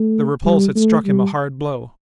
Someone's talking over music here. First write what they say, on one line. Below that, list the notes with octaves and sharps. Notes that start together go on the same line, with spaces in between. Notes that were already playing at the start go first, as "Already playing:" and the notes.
The repulse had struck him a hard blow.
Already playing: A3
G3
A3
G3